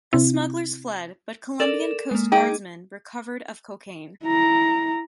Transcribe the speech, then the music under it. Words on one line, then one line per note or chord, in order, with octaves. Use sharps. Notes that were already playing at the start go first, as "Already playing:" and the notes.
The smugglers fled, but Colombian Coast Guardsmen recovered of cocaine.
C3 C4 E4
A4 A#4 D5 E7
G#3 A#3
D#4 G#4 D#5 G5 D6
E4 A#5